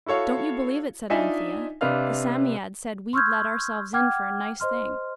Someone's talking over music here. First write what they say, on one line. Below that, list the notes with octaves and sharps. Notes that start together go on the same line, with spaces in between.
'Don't you believe it!' said Anthea. 'The Sammyadd said we'd let ourselves in for a nice thing.
E4 F#4 A4 C#5 F5
D4 D#4 F4 D#5 E5 G#5
C3 D4 B4 D#5 F5 F6
C6 C#6 E6 F6 G6 G#6
F#5 G5 D6 F6 G#6
C5 D#5 C6 F6